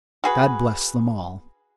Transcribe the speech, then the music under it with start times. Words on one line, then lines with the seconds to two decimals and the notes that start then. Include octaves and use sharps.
God bless them all.
0.24 F#4 G#4 B4